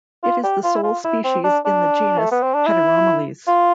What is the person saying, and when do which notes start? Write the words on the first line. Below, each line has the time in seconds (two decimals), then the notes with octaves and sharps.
It is the sole species in the genus Heteromeles.
0.24 F4
0.44 G4
0.64 F4
0.75 E4
0.83 F4
1.04 E4
1.24 C4
1.44 D4
1.65 D4
2.19 A3
2.31 B3
2.43 C4
2.54 D4
2.67 E4
3.47 F4